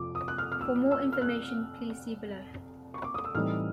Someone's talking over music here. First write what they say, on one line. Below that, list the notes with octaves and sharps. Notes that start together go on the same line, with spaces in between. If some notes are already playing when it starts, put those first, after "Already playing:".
For more information, please see below.
Already playing: F2 C3 F3 D6
D#6
F#6
F6
F6
E6
E6
F6
F#6
C#6
D6
D#6
E6
A2 E3 G3 C4 D#4 F6